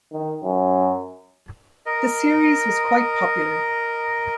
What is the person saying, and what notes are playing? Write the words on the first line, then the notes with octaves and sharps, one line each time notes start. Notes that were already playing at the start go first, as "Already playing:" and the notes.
The series was quite popular.
D#3
F#2
A#4 D#5